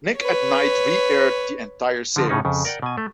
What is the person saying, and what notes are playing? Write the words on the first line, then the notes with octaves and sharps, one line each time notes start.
Nick at Nite reaired the entire series.
B4 C#5
D3 F3 A#5
A2 C#3 C#4 D#4
F2 C#3
A#4 D5 F#5 G5
B2 G#5
A3